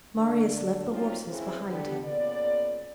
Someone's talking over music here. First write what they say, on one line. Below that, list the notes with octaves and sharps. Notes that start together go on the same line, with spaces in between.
Marius left the horses behind him.
D3 D4
F3 F#3 C4 D#4 F4
C#3 E3 C4
D3 B3 G4
A#2 C#3 B3 D5